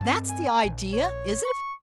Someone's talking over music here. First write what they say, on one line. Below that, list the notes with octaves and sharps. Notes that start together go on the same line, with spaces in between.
That's the idea, is it?
G2 C4 A5
G#5
A#1
C#5
C#6